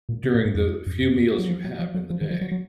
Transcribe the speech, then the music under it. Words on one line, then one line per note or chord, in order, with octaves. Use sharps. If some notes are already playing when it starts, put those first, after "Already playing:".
during the few meals you have in the day.
A#2
C3
A#2
G#2
F2
F#2
F#2
F#3
F3
F#3
F3
F#3
F3
D#3
F3
F#3
F#3